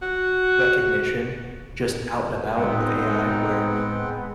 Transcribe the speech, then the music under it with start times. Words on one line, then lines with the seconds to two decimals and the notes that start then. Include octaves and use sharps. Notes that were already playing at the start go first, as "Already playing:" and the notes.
recognition. Just out and about with AI, where
0.02 F#4
2.57 A2 G#3 B3 C4 D#4 F#5 G5